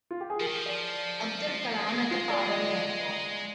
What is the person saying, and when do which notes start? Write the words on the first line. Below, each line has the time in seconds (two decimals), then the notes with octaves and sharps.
Abdul Kalam at the Palam Airport.
0.11 F4
0.21 G4
0.30 G#4
0.40 F3 A#4
0.47 D#3
0.55 F3
0.66 D5
1.88 A#3
1.92 G#3
2.11 F4
2.30 D5
2.49 D#5